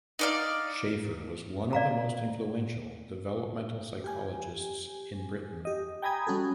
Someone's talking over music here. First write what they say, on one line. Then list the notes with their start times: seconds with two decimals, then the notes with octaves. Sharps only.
Schaffer was one of the most influential developmental psychologists in Britain.
0.19 D#4 D5 F5
1.73 D5 F5 A#5
4.04 G4 G#5
5.65 G4 D#5
6.02 G5 G#5 A#5 B5 D#6 G#6
6.27 G3 C#4 F#4 A4